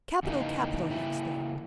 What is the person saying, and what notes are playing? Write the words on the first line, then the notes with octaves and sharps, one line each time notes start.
"Capital! capital!" he exclaimed.
E2 C#3 E3 A#3 D#4
C#3 E3 A#3 E4